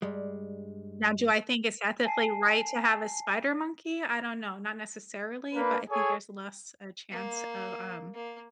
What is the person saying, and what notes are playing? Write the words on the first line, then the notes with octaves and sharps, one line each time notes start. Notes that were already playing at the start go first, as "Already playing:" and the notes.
Now do I think it's ethically right to have a spider monkey? I don't know. Not necessarily, but I think there's less a chance of, um,
G2 G3 G#3
G#5 A5 C7
A#3 D4 B4
G#4 A4 C#5 G#5
A#3
A#3